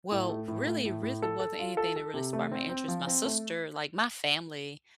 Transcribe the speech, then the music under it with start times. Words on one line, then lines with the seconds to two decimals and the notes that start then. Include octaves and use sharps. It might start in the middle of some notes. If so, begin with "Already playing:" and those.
Well, really reason wasn't anything that really sparked my interest. My sister, like my family,
0.12 A2
0.29 A3
0.48 A2
0.67 A3
0.85 A2
1.03 A2
1.22 A4
1.40 A4
1.60 F4
1.77 A4
1.96 A4
2.14 C3
2.33 A3
2.52 C4
2.69 C4
2.88 F3
3.07 C4
3.25 A3